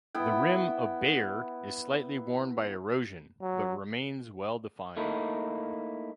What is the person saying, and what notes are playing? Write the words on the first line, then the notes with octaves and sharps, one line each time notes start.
The rim of Bayer is slightly worn by erosion, but remains well-defined.
B3 E4 G5
F#3
A3 A#3 D#4 E4